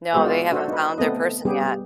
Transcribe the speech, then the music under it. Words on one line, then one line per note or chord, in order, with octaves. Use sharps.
No, they haven't found their person yet.
G#3 B3 F#4 G#4 C5 E5
F4 D5
D4 F#4 A4 C5 E5
D#4 B4
A3 B3 C4 A4 D#5
G3 B3 G4 G#4